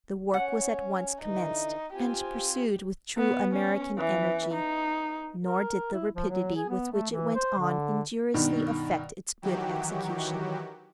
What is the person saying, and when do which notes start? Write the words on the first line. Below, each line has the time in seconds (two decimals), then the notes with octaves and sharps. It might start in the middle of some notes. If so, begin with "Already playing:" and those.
The work was at once commenced, and pursued with true American energy; nor did the rapidity with which it went on injuriously affect its good execution.
0.34 C#4 F#5
1.21 D3 E3 D#4
1.94 C4 F4 G4 G#5
3.17 B3
3.52 C#4
3.98 E3
4.53 D#4
5.43 A#4
5.93 E4
6.15 F3
6.29 F#3
6.56 G#4
6.69 B3
6.92 A3
7.10 E3
7.35 C5
7.59 D3
8.34 G2 B2 D#3
9.42 D#3 E3 F#3 F#4 G4